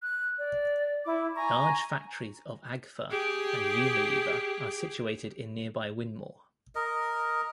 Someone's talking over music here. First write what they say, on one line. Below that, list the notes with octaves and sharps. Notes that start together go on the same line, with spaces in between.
Large factories of Agfa and Unilever are situated in nearby Whinmoor.
F#6
D5
E4 D6
G#5 A#5 C#6
G4 G#4
A#4 D#5